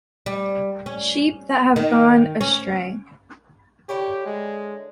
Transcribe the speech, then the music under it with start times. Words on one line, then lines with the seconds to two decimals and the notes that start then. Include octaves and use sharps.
Sheep that have gone astray.
0.26 G3
0.86 C#4
1.76 D#3
2.41 C#4
3.89 D3 E4 G4 C#5
4.26 G#3